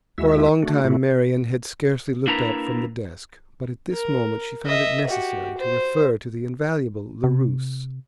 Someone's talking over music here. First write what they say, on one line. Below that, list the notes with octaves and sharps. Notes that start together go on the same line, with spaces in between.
For a long time Marian had scarcely looked up from the desk, but at this moment she found it necessary to refer to the invaluable Larousse.
D#2 G#3 E4 F#4 E5 E6
A3 D4 F#4
A2 C#3 A3 E4 F#4
A#3 D4 E4 A#4 B4 A#5
A#4
D#5 E5
F#4 G4
C5
C3